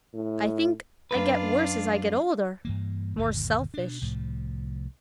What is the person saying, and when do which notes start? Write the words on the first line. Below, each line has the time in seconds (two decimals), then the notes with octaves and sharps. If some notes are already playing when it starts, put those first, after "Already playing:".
I think I get worse as I get older, more selfish.
0.14 A2
1.11 F#2 D4 F4 B4
2.65 G2 E3 A#3
3.17 G1 D#2 B2 D#3
3.74 B2 D4
4.01 C2 A2 F3